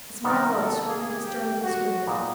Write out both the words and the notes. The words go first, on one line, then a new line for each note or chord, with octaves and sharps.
A small boat swung at the stern of the schooner.
C3 D#3 G3 B3 D#4 A#4
A4
G#4
G4
F#4
A#2 G3 B3 D#4 G#4